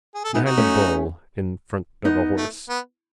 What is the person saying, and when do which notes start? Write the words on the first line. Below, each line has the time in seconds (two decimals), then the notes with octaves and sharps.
Behind a bull: in front of a horse.
0.15 G#4
0.24 A4
0.34 B3 D#4 E4 G#4
0.46 D#4 F#4
0.57 A3 C#4
2.05 B3 D#4
2.37 A3
2.69 B3